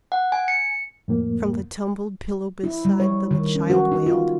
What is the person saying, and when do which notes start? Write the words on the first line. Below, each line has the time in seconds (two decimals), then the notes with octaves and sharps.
From the tumbled pillow beside them a child wailed.
0.12 F#5
0.32 G#5
0.48 C#7
1.08 F2 A2 A#3
2.64 E4
2.85 G3
3.00 C#5
3.31 D#3
3.55 C#4
3.70 F#4
3.92 D#4
4.06 F4